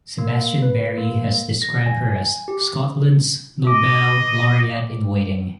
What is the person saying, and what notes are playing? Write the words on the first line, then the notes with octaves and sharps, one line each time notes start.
Sebastian Barry has described her as "Scotland's Nobel laureate-in-waiting".
A#3
B4
A#3
A#6
G#5
G#5
G4
D#5 D6